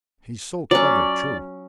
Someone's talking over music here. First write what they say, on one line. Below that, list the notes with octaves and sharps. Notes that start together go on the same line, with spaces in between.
"He's so clever, too!"
F#3 C#4 D5